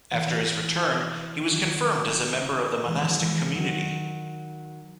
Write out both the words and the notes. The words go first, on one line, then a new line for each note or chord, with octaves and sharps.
After his return, he was confirmed as a member of the monastic community.
E3
D#3 F#3
E3 G#3
D#3 F#3
E3 G#3
D#3 F#3